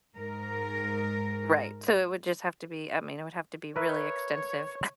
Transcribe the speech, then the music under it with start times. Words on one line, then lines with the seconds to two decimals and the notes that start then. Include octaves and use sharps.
Right, so it would just have to be I mean, it would have to be really extensive.
0.18 G#2 A#4
3.76 A#4 B4 C#5 E5